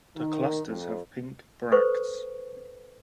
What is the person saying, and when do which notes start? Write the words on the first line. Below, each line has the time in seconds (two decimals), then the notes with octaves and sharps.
The clusters have pink bracts.
0.17 D#3
0.66 F2
1.72 A4 B4 C5 C#6